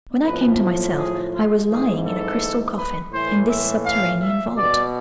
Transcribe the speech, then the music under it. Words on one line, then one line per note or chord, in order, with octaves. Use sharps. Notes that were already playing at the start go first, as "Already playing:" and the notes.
'When I came to myself I was lying in a crystal coffin in this subterranean vault.
A2 F3 B4
G#4
F4
G#2 E3 G#4
A4
B4
A2 E3 C5
E5
F5
E5
B2 D5